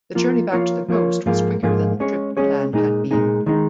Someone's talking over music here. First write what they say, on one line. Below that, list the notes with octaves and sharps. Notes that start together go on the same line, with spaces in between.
The journey back to the coast was quicker than the trip inland had been.
F3 A#3 F4
F3 A#3 F4 A#4 C#5
F3 A#3 F4 A#4 C#5
G#2 F3 A#3 F4 G#4
G#2 F3 A#3 F4 G#4
G#3 C#4 G#4 C#5
G#3 C#4 G#4 C#5
A#2 G#3 D#4 G#4
A#2 G#3 D#4 G#4
D#3 G#3 D#4